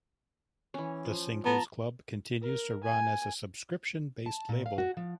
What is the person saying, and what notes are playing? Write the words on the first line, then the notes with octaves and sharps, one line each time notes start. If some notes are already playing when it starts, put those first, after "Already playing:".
The Singles Club continues to run as a subscription based label.
E3 C#4
F3
B3 A5 A#5
A#4
G#5
A5
A#2
F5
F#4
F3